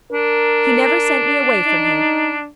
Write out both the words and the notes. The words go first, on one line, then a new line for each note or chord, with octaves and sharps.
He never sent me away from him.
D4 A#4
D#4